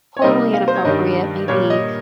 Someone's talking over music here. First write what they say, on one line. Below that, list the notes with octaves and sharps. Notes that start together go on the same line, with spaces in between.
totally inappropriate maybe
C#5
C3 G3 A#3 D#4 D#5
F5
C5
C#5
G2 D#3 G3 D#5
A#2 G3 A#3 C#5
D#5